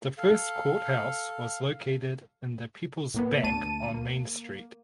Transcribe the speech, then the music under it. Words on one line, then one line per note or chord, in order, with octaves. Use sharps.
The first courthouse was located in the Peoples Bank on Main Street.
A4 F5
A2 A#3 B3
D2 A5 D#7
A#3